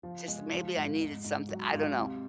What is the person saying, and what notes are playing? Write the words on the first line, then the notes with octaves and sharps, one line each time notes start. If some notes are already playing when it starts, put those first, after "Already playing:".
just, maybe I needed something I don't know.
F3
G#3
F3
G#2
G#2
G#2
F#3 F#4
G#2 F4
C3